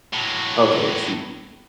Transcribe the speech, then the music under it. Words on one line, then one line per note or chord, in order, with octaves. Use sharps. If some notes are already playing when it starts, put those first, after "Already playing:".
Okay, I see.
A2 F#3